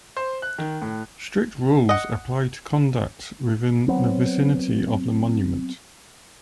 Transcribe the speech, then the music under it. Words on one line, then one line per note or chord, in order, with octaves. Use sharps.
Strict rules apply to conduct within the vicinity of the monument.
C5
F#6
D#3
A2
D#5 F#5
F#3 B3 C4